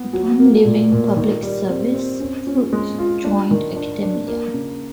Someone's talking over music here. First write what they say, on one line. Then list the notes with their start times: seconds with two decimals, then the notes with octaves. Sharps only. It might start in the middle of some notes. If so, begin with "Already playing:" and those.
Upon leaving public service, Fuerth joined academia.
Already playing: B3
0.13 F#3
0.39 A#3
0.65 A#2
0.92 A#2
1.17 D#3
1.43 G3
1.69 C4
1.94 C4
2.20 C#4
2.47 C#4
2.73 G#3
2.99 F4
3.24 D4
3.51 D#3
3.76 D4
4.02 D4
4.28 A#3
4.54 C#3